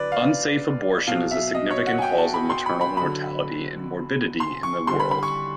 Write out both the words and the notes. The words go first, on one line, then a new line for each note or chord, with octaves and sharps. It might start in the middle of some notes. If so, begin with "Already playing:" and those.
Unsafe abortion is a significant cause of maternal mortality and morbidity in the world.
Already playing: D3 F#3 B4 D5
F5
B2 F#3 F5
E5
D#5
C#5
F#5
G#5
G5
A5
B5
C6
B5
B5
D3 F#3 B5
C6
C#6
D3 G3 C6
B5
B5
C#6